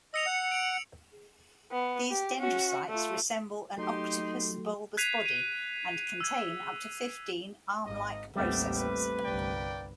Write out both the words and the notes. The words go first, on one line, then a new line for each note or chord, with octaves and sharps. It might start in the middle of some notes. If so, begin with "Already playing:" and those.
These dendrocytes resemble an octopus bulbous body and contain up to fifteen arm-like processes.
D#5 E6 C#7 F7
F#5 C#7
D7 F#7
B3
G4
C#4 F#4
A3 F4
F#3 A3 D#4 G4 C6
F#6 G#6 B6 C7 D#7 F7
D#7
E6 G#6
G#1 A#3 D#5
A1 D#2 G3 A3 B3 C4 G5
B4
G1 C2 A#3 D5 G5